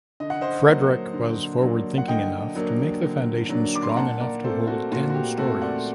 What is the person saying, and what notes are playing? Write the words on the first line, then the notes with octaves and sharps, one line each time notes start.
Frederick was forward-thinking enough to make the foundation strong enough to hold ten stories.
D3 D#5
F#5
C5 D#5
F#3 A#3 D4
D3
F#3 A#3 D4
F#5
D3 D#5 G5
F#3 A#3 D4
D3
F#3 A#3 D4
D6
C6
A#5
A#2 F#5 A5
A#4 D5
A3 C4 A4 C5
F#4 A4
A#2 F#4
F#4
G4
A3 C4 F#4 A4
D5 F#5